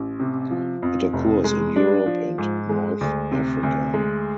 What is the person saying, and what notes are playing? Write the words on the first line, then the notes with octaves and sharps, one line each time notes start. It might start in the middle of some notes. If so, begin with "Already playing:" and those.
It occurs in Europe and North Africa.
Already playing: A1
C3
F3
F2
F1
G#3
D4
F3
G#2
G#3
D2
C3
D2
G#3